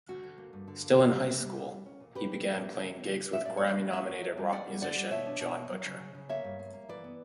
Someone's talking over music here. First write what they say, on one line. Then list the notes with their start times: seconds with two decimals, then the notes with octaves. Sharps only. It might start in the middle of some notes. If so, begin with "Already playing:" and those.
Still in high school, he began playing gigs with Grammy-nominated rock musician Jon Butcher.
0.08 D2 F#4
0.23 D2
0.38 A#3
0.53 G2
0.68 D3
0.83 A#3
0.96 D2 F#4 A#4
1.11 G3
1.27 D2
1.42 G3
1.56 A#2
1.72 G3
1.86 C#4
2.00 A#2
2.15 C#4 G4 B4
2.30 A#2
2.45 A#2
2.59 A#3
2.75 C#3
2.90 E3
3.04 C#3
3.19 D4
3.33 A#2 E5
3.45 A#3 D5
3.57 C#5
3.64 G3
3.69 B4 D5
3.78 A#3
3.93 C#4 C#5 E5
4.08 E2
4.22 E2
4.37 G3
4.52 C#4 D5 F#5
4.67 G3
4.82 D3 D5 F#5
4.96 G3
5.11 B2 C#5 E5
5.26 D4
5.41 B2
5.56 A#3
5.71 F#3
5.86 C#3
6.00 C#3
6.15 C#3
6.29 A#3 C#5 E5
6.44 G2
6.59 A#3
6.73 A#3
6.89 E3 B4 D5
7.04 B3